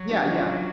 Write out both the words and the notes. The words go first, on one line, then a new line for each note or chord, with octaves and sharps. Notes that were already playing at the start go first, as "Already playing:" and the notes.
Yeah, yeah,
Already playing: F#3
D4 F#4
C#4 F4